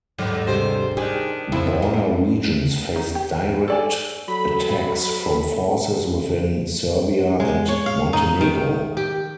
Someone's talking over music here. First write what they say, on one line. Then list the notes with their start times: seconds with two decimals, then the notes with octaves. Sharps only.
Border regions faced direct attacks from forces within Serbia and Montenegro.
0.18 D#2 G#2 D3 F#3 B3
0.47 C3 G3 G#3 C5
0.97 D#3 D4 G4 G#4
1.52 F2 C4 E4
1.82 A#3
2.96 D#4
3.15 G4
3.68 A4 D5 G#5
4.28 F#3 A4 B5
7.40 G#3
7.68 C#5
7.86 F5
8.13 D#4
8.41 D#3
8.97 G4